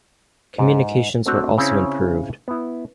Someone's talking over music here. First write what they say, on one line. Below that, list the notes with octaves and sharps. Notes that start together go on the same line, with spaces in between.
Communications were also improved.
G#2
A3 C4 D4 F#4 A4
C#3 C4 C#4 E4 C#5 A#5
B3 E4